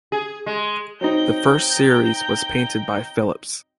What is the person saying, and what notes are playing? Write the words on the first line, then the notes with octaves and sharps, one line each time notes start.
The first series was painted by Philips.
G#4
G#3
F#3 C4 D#4 G5 A#5 G6